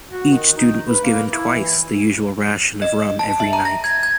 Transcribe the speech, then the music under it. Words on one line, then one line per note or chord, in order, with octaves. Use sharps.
Each student was given twice the usual ration of rum every night.
F#4
D#3
D#4
B4
A#3
E4
E3
D#5
A5
E5
A#5
A#6
G#6
G#6